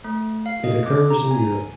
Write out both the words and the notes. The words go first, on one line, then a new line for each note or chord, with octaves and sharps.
It occurs in Europe.
A3
F5
D#5
D6
A#5
G#5